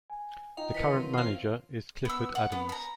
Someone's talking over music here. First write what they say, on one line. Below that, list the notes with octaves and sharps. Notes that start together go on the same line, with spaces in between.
The current manager is Clifford Adams.
G#5
D#4 F4 F5 G5 A#5
D#3 E3 B6 C#7
F#3 C6
C4 F4 C#5 F5
B3 E6
F#5
B3
A#5 B5